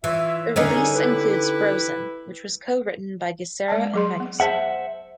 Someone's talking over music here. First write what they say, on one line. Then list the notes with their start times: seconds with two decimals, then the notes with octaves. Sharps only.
The release includes "Frozen" which was co-written by Gissara and Michaelson.
0.04 E3 F4 C#5 E5
0.56 F2 A#2 D3 D#3 C#4 D#4
0.69 G#4 A#4 G#5
0.94 E4 G4 B4
3.68 G#3 D5 A5
3.94 F#3 G#4 C6
4.20 B3
4.40 G#4 C5 E5 F#5 A5